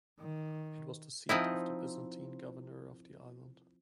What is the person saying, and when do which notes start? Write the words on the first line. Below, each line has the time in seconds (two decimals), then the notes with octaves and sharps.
It was the seat of the Byzantine governor of the island.
0.20 D#3
1.29 F3 C4 D#4 E4